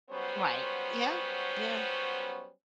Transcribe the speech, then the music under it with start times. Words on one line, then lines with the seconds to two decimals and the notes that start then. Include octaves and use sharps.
Right. Yeah. Yeah.
0.11 F#3 G3 B3 C#4 C5